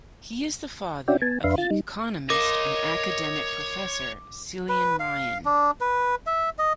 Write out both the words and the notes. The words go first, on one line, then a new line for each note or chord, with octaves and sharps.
He is the father of the economist and academic Professor Cillian Ryan.
C#4 D4 F#4 D5 E5 G5
B3 G#5 A5
F2 D4 B4 E5 F5 C6
F4 A6
G3 D#4
A#4 C#5 D#5 F5 C6 D6
B4
F5
D4
B4
E5
D#5